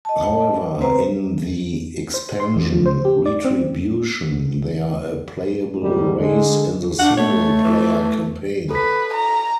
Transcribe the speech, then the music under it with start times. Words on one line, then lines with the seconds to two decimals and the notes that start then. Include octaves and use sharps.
However, in the expansion "Retribution", they are a playable race in the single-player Campaign.
0.05 D#5 A5
0.80 C4 B4 C5 A#5
2.14 C5
2.40 C6
2.56 E2
2.72 F3
2.86 C5
3.05 G4
3.26 D5
3.45 C4
5.81 D2 G#2 B2 D3 D#3 G3
6.20 D3 G#3
6.99 D4 F#5
7.17 A3 C#5
7.64 E3
8.71 A4 B4 B6
9.14 A#5